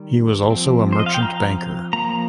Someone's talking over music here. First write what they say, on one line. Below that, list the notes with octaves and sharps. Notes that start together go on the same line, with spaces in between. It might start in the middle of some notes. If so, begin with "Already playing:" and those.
He was also a merchant banker.
Already playing: D#3 G3
F3 C4
C5
D#5
F5
G5
A#5
F3 A#3 A#5